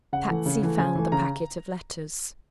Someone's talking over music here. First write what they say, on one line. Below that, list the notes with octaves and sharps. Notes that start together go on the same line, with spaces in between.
Patsy found the packet of letters.
C#3 F#5
E3 A3
C#3
E3 A3
C#3 G#5
E3 A3
C#3 A#5